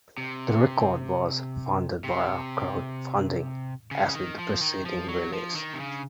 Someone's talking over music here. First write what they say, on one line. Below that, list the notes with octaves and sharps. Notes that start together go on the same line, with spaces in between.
The record was funded via crowdfunding, as with the preceding release.
C3
C3
C#3
D#3
F3
D#3
F3
F#3
F3
D#3
C3
C#3